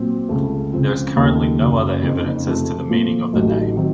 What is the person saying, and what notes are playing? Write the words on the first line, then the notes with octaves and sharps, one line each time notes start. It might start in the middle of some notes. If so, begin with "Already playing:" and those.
There is currently no other evidence as to the meaning of the name.
Already playing: A#2 F#3 C4
C#2 C#3 A3
C#2 C#3 F3 C4 F4
D#2 C#3 A3 D#4 A#4
F#1 F#2 C#3
F2 C#3 F3 A#3 D#4
C3 F3 A3
A#2 F3 A3
A1 A2 F#3 A3 D#4
D#3 F#3 C4 D#4